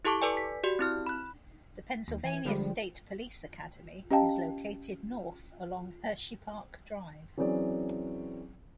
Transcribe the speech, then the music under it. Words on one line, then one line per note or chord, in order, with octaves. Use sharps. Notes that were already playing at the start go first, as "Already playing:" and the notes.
The Pennsylvania State Police Academy is located north along Hersheypark Drive.
E4 G4 A4 A5 C#6 D6
A4 B4 D5 G#5
B6
F#4 G4 D5
C4 E4 F6
B5 F#6
D#2
E3 G#5
D3 F3 G3 G#3
C#4 G4 D#5 F5 G5 A5
E3 F#3 C4 C#4 G#4 D5